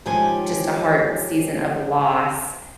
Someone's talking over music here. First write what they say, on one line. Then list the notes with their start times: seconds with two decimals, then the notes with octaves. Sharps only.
just a hard season of loss,
0.06 G#2 D#3 F3 C#4 G4 G#5